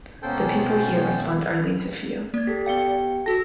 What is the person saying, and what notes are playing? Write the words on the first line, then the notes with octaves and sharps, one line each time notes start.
The people here respond only to fear.
B2 G#3 A#3 B3 C#4 A4 C5 G5
A#3 D5 G#6
G4 A4 B6
B3 G4 F5 G5 C#7 G7
F#4 A4 A5 A#6